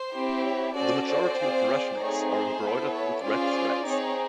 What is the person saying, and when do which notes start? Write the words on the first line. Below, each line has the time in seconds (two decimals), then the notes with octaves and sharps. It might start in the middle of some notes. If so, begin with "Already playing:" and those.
The majority of rushnyks are embroidered with red threads.
Already playing: C5
0.14 C4 E4 G4
0.45 C#5
0.76 C#4 F#4 A4 C5 D5
1.07 C5 D5
1.38 C4 F4 G#4
2.00 A3 C4 D#4 G#4 C#5
2.31 C5
2.61 B3 E4 A4
2.94 C#5
3.24 C#4 F4 G#4 C5 D5
3.86 C4 D#4 G#4 C#5